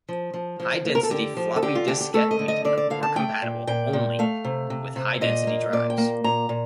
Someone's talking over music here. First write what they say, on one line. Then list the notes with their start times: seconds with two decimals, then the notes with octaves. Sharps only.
High-density floppy diskette media were compatible only with high-density drives.
0.09 F3
0.34 F3
0.60 F3
0.85 A#3
0.95 A#4
1.03 A4
1.11 D3 G4
1.37 F3
1.56 A4
1.62 D3 G4
1.75 F4
1.88 D3 G4
2.00 G4
2.14 A3 A4
2.31 D#5
2.39 D3
2.48 D#5
2.65 D3 D5
2.77 D5
2.90 D3 F5
3.03 A5
3.16 A3 G5
3.42 A#2
3.67 A#2 G5
3.93 A#2
4.19 A3 F5
4.44 C3
4.70 C3
4.96 C3
5.21 A#2 D#5
5.47 A#3
5.73 A#2 D5
5.90 G5
5.98 A#3
6.24 A#2 A#5
6.49 A#2